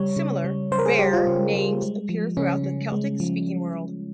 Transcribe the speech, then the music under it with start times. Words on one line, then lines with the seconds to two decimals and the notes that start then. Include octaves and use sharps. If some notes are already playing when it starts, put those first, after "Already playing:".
Similar 'bear' names appear throughout the Celtic-speaking world.
Already playing: C#3 G3 C#5
0.16 C#3
0.44 G3
0.71 C#3 C5
0.79 A#4
0.86 G#4
0.99 G3 G4
1.13 F4
1.27 C#3
1.54 G3
1.82 G#3
2.09 F3
2.37 C#3 C#4
2.64 C#3
2.92 G#3
3.20 F3